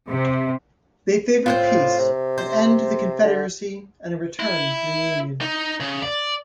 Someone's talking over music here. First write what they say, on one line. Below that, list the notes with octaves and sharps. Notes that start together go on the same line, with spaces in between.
They favored peace, an end to the Confederacy, and a return to the Union.
C3
A2 C4 F4 C5
C3
C5
D3
E4
D#4
C#3
D5